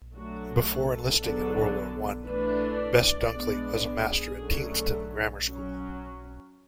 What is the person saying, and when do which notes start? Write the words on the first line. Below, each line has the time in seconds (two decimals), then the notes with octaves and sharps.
Before enlisting in World War One, Best-Dunkley was a Master at Tienstin Grammar School.
0.13 F#3 A3 D4 F#4
0.66 A4
1.19 D3 F#3 B3 D4
2.25 E3 A3 D4 B4
2.78 D5
3.32 G#3 B3 D4
3.84 G#4
4.38 D3 F#3 A3 C#4
5.44 F#3 C#4